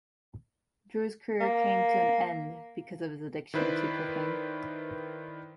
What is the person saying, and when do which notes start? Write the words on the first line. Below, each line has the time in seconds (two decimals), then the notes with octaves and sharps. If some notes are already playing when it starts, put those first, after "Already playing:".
Drew's career came to an end because of his addiction to cocaine.
1.41 A#3
3.54 D#3 E4 B4 C5 D5